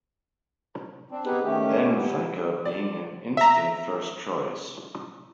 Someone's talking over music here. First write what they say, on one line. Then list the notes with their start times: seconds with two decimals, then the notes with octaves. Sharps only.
Benfica, being an instant first-choice.
1.11 C4 D4
1.25 B3 C4 D#4 G4 G#4 B4
1.45 D#3 A3 C#4 G4
1.94 G3 B3 D#4 E4 G4
2.65 D5
3.37 E5 A#5